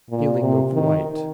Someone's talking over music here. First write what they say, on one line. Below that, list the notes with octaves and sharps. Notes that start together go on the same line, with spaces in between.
Feeling of white.
A#2
C3
D#3